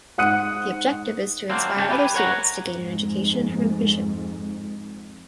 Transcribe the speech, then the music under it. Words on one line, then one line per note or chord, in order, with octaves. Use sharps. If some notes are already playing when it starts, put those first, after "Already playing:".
The objective is to inspire other students to gain an education and have ambition.
G#2 F#5 D#6 F#6 C#7 D#7
F#3 A#3 C4 D4
G2 C#3 F4 G#4 G5 A5
G4 B4 G#5
A#4 C#5 F#5 A#5
F2 G#2